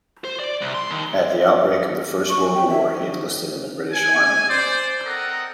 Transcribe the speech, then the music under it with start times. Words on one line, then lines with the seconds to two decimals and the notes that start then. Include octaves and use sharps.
At the outbreak of the First World War he enlisted in the British Army.
0.25 C5
0.40 D5
0.61 C2
0.74 C6
0.90 D#2
2.30 C#6
2.54 G5
2.68 E5
3.92 G#5
4.48 C5 D5
5.05 C4 A4 A#4 D#5 F#5 A#5